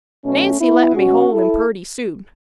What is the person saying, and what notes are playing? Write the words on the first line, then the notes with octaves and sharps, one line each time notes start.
Nancy let me hold him purty soon.
B2 F#3 A3 C#4
B3 E4
B2 F#3 C#4 F#4
E4 A4